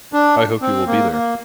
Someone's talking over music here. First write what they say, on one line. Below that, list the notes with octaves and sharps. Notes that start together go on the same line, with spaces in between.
I hope you will be there.
D4
C4
A#3
A#3